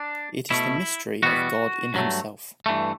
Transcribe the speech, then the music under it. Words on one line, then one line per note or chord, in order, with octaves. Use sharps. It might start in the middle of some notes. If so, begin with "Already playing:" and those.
It is the mystery of God in himself.
Already playing: D4
B2 A3 E4
E2 B2 G3 B3 F#4
G2 F#3 A3
G2 E3 A3